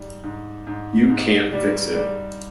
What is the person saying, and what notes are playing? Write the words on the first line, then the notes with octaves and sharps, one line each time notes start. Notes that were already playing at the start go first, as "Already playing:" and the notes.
You can't fix it.
Already playing: G#2 G3
G#2
G#2
G#2
G3
G3